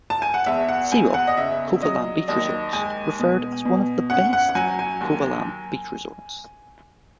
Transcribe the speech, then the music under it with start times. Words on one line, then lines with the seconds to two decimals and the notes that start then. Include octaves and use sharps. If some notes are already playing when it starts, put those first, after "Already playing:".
"SeaRock - Kovalam Beach Resorts" referred as one of the best Kovalam Beach Resorts.
0.10 A5
0.22 G#5
0.34 F#5
0.46 E2 E5
0.69 F#5
0.92 E2 G#5
1.14 F#5
1.27 D#5
1.37 C#3 E5
1.82 F#3 D#5
2.28 D#2 D#5
2.73 G#3 G#5
3.19 B2
3.65 B2
4.10 C#4 F#5
4.33 F#5
4.49 F#5
4.55 F#3 G#5
4.79 G#5
5.01 D#2